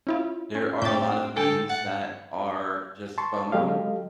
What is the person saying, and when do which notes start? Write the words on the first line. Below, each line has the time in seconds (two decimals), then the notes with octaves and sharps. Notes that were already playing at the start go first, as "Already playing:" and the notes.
there are a lot of games that are, just, FOMO,
0.07 C#4 E4 F4
0.55 C#4
0.82 A2 C4 D4 G6 A6
1.36 D3 A4 G5 G#5
1.70 F#5 A6
3.18 A5 C6 C#6
3.52 F#3 G#3 G4 A4 D#5 F5